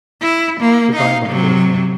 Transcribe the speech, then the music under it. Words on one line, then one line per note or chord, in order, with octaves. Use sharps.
Good-bye, my dear friend.
E4
A#3
D#4 F5
C3 F#3